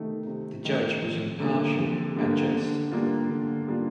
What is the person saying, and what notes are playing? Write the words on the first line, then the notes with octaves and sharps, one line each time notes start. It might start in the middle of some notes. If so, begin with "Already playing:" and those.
The judge was impartial and just.
Already playing: C3 D#3 A3 D#4
C3
D#3 A3 D#4
F2
D3 G3 A#3
F2
D3 G3 A#3
D3
G3 A#3 D4 F4
D3
G3 A#3 D4 F4